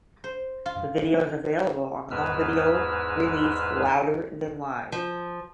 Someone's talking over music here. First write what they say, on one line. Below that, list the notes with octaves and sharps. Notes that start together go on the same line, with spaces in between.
The video is available on the home video release "Louder Than Live".
C5
F4
E2 G#2 G#3 B4 E6 F6
F3